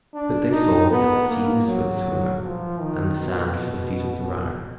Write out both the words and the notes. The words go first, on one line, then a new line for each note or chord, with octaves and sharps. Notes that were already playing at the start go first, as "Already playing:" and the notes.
But they saw that the sea was for the swimmer, and the sand for the feet of the runner.
D4
D#4
B3
A#3
F#3
F3
D#3
B2